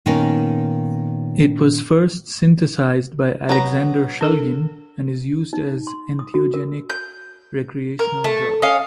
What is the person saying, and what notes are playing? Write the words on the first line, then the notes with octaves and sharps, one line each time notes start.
It was first synthesized by Alexander Shulgin and is used as entheogenic recreational drug.
A#2 D#3 B3 C#4 D#4 A#4
F#3 B3 A#5
D4 A4 A#4
D#4
C6
D#6
F#4
A#4
G6
A#4
A3 A5
C#4 D#5 F5